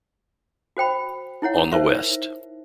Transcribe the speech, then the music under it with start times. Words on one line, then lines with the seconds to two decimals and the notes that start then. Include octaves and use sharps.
On the West.
0.77 F#4 C5 G5 B5
1.42 D#4 E4 C#5 F#5
1.72 D#4 A#4 C5 E5